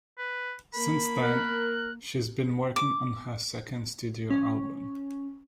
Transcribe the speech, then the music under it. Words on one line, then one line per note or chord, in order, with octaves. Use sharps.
Since then, she's been working on her second studio album.
B4
A#3 B5
A#4 F#6
D6
C#4